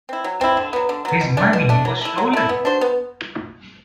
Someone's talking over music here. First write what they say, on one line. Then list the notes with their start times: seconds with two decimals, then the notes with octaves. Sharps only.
His money was stolen.
0.09 C4 E4
0.24 F#3
0.41 C4 E4
0.57 D3
0.73 F#3 B3
0.89 D3
1.05 F#3 B3
1.21 B2
1.37 A3 D4
1.53 B2
1.69 A3 D4
1.85 F#3
2.01 A3 E4
2.18 F#3
2.33 A3 E4
2.49 B3
2.65 D4 F#4 C5
2.81 B3